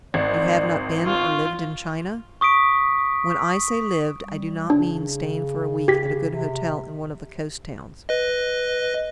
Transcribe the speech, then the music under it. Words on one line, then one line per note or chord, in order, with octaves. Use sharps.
You have not been or lived in China? When I say lived I do not mean staying for a week at a good hotel in one of the coast towns.
G#1 D5
F4 C#6
C#6 D#6 B6 D7
G3
C#3 D4
G4 B6
C3
B4 D#5